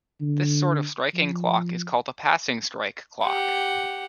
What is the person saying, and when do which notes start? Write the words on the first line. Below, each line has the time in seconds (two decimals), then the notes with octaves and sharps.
This sort of striking clock is called a "passing strike" clock.
0.21 D3
1.14 F3
3.23 G4 F#5